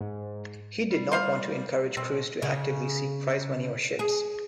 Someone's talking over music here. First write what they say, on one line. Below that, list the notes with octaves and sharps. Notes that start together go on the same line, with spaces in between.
He did not want to encourage crews to actively seek prize money or ships.
G#2
G3
C5 F5
B2 C4
C#3
G#4